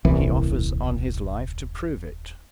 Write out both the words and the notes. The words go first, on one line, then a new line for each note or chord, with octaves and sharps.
"He offers on his life to prove it."
D#1 C2 E3